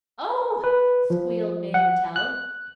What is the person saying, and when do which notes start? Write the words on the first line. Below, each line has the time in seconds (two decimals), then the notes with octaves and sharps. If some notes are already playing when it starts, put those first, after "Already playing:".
"Oh!" squealed Mae Mertelle.
0.64 B4
1.10 F3
1.74 F#5
2.16 F#6